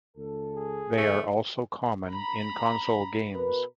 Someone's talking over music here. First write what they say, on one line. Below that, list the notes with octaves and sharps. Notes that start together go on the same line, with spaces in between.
They are also common in console games.
C#2 A4
G#4
F#1 E3 G#3 A3
A#5 B5
B2 A#4 B4